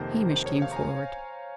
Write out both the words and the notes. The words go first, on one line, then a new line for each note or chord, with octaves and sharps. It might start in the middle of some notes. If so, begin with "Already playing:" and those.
Hamish came forward.
Already playing: F1 F2 C3 D#3 A#3 C5
C#5
F5
A#5
G#5